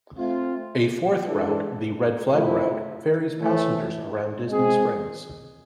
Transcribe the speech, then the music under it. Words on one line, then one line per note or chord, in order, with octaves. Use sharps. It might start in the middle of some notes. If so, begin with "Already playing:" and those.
A fourth route, the red-flag route, ferries passengers around Disney Springs.
A3 C4 F4
E3 G#3 D4 A4
F3 A3 E4
A2 E3 A3
G#3 C4 G#4